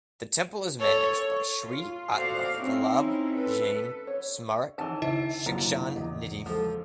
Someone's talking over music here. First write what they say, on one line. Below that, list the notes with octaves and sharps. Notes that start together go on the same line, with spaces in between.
The temple is managed by Shree Atma Vallabh Jain Smarak Shikshan Nidhi.
A4 C#5
F4
F#4 A4 C5 D5 F5
C4 C#4 D#4 E4
A4 B4
C#5
D#3 E3 G#5 A5
C#3 E4 E5
F#2 D3 A#3 F4 A#5
E2 D#5
F3 G#3 A4